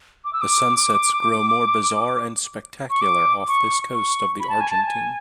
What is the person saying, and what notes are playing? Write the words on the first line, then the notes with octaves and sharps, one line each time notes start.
The sunsets grow more bizarre and spectacular off this coast of the Argentine.
D6
E6
D6
C#6
D6
C#6
C#6
B5
A5
G#5
A5
G#5